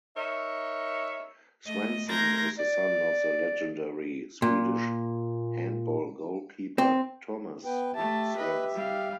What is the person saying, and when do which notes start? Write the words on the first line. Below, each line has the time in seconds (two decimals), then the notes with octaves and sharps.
Svensson is the son of the legendary Swedish handball goalkeeper Tomas Svensson.
0.16 D#4 A#4 C#5 E5
1.67 A3 D#5
2.07 A3 A#4 C6 G6 G#6 A#6
2.59 D5
4.42 A#2
6.78 C4
7.65 B3 B4 G5
7.94 A3 G4 E5 A5
8.37 B4 D#5
8.74 G3 F5